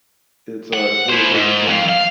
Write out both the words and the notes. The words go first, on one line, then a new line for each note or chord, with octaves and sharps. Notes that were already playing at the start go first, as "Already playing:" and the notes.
it's, uh it's really good. You can
F#5
E4 C5
G#2
F2 F5
F5